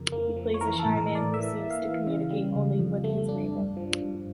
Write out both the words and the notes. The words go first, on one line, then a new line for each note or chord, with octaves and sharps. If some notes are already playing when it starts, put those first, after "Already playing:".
He plays a shy man who seems to communicate only with his raven.
Already playing: F2 C#3 A#4
A#3
F3
C#5
E3 A#4
A4
A2
A#4
E3
D5
E3 E5
A#3
F5
E3
C#3 F5
G3
C#2
F2
A3
D4
G2
F3
G2